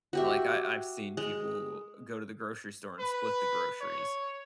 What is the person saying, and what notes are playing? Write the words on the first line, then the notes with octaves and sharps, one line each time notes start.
Like, I I've seen people go to the grocery store and split the groceries
F#4 G4 E5
G#3
B4
C#5